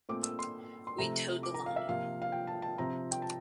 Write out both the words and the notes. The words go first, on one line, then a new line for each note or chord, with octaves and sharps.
We toed the line.
A#2 A3 C4 D6
E6
C6
C6
C3 F3 A3 C4 A#5
D6
A#5
F5
E5
C3 F3 A#3 F5
F5
G5
A5
A5
C3 F3 C4 A#5
G5
A5